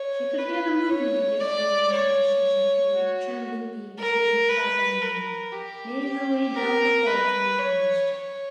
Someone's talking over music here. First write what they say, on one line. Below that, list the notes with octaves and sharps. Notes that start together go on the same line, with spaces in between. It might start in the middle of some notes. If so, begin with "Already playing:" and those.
She could hear the movement of the old woman as she gently, tremblingly, as Lady Clavering knew, made her way down the hall to meet her master.
Already playing: C#5
B4
C#5
D5
C#5
F#4
A#4
B4
A#4
G4
G4
A#4
B4
C#5
C#5